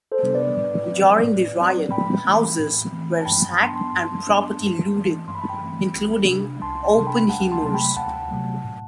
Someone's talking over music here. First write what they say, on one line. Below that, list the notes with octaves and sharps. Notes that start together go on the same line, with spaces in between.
During the riot, houses were sacked and property looted, including Oppenheimer's.
A4 C5
C3 G3 B3 D4
B4 D5
A2
F#3 C4
A2
F#3 C4
A2 G5 B5
E3 A3 C4
A2
E3 A3 C4
A5
G2 G5 B5
G5 B5
F#3 B3 D4 A5 C6
A5 C6
G2
F#3 B3 D4
G2
E3 A3 C4
G2 C6
B5
A5
G5 B5
E3 A3 C4
C2
C3 G3 D4
C2 A5 C6
A5 C6
C3 G3 D4
G5 B5
D2 F#5 A5
A5 C6
C3 F#3 A3 A5
G5 B5
D2 F#5 A5
C3 F#3 A3
A2